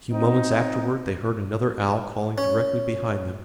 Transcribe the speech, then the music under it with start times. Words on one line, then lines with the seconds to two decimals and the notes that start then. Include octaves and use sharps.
A few moments afterward they heard another owl calling directly behind them.
0.12 C4 D#4
2.38 C#4